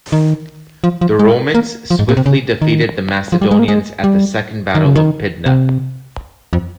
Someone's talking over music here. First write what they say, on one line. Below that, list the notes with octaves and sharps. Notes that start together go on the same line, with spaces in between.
The Romans swiftly defeated the Macedonians at the Second battle of Pydna.
D#3
F3
F3
G#3
A#3
F3
G#2
A#2
C3
C#3
D#3
F3
G3
G#3
A#3
G#3
G3
D#3
C#3
D#3
C3
F2